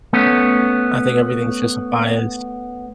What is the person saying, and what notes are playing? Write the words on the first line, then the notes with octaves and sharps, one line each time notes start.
I think everything's just a bias.
A3 B3 C#4